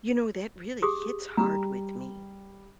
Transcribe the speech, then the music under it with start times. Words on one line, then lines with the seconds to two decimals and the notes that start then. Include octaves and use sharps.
you know, that really hits hard with me.
0.82 G4 G#4 D#6
1.37 G3 A#5